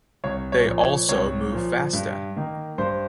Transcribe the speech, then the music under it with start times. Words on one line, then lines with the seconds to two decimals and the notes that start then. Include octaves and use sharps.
They also move faster.
0.24 C2 C#5
0.52 C#5
0.66 A#2 F3
0.81 C#5
1.09 C2 C#5
1.51 A#2 F3
1.93 G2
2.36 D#3 A#3
2.78 G2 C5